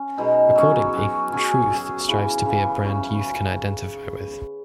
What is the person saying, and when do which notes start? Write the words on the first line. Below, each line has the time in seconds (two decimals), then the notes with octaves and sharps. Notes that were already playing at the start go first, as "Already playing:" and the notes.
Accordingly, "truth" strives to be a brand youth can identify with.
Already playing: C#4
0.17 B2 G#3 B3 D#4
0.56 F#3 C#4 F#4
0.93 F#3 C#4 F#4
1.32 F#3 C#4 G#4
1.70 F#3 C#4 G#4
2.08 C#3 E3 B3
2.46 C#3 E3 B3
2.84 F#3 C#4 G#4